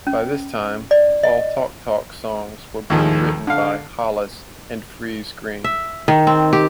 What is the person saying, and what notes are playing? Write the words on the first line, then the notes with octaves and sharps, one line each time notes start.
By this time, all Talk Talk songs were being written by Hollis and Friese-Greene.
C#4
D5
D#5
D#2 A2 D#3 F3 G#3
D3 F5
E5
D#3
C4
G4